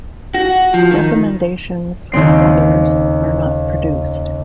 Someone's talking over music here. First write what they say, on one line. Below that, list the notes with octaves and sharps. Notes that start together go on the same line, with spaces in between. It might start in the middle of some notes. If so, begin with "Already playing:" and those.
Recommendations for others are not produced.
F#4
F3
D#3
D#2 C#3 C4 C7